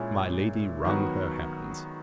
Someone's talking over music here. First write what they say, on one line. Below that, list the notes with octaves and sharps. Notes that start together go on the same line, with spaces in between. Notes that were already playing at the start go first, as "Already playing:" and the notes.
My Lady wrung her hands.
Already playing: A#2 G#3 C#4 E4 G#4
D#3 F#3 B3 F#4